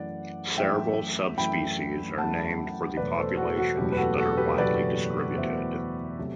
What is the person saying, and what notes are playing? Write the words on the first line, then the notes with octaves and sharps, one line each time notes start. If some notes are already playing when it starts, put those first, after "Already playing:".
Several subspecies are named for the populations that are widely distributed.
Already playing: F#2 E3 A3 D5 F#5
F#2 E3 A3 E5 G5
F#2 E3 A3 G5 B5
F#2 E3 A3 F#5 A5
F#1 E2 B2 F#3 A3 B4 D5
A4 C5
F#4 A4
F#4
F#1 E2 B2 F#3 A3 G4
B4
F#4 A4
F#4 A4
G4 B4
F#1 E2 B2 F#3 A3 B4 D5
F#1 E2 B2 F#3 A3 C5 E5
C3 F#3 A3